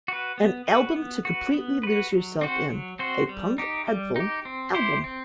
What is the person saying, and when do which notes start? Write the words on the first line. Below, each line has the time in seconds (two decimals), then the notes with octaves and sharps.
An album to completely lose yourself in, a punk headphone album.
0.08 F#4 B4
0.38 B3
0.67 F#4 B4
0.96 B3
1.25 F#4 B4
1.54 B3
1.83 F#4 B4
2.12 F#3
2.41 C4 F#4 C5
2.70 F#3
2.99 C4 F#4 C5
3.29 G3
3.58 D#4 G4
3.87 G3
4.16 D#4 G4
4.45 C4
4.75 E4 G4 C5
5.04 C4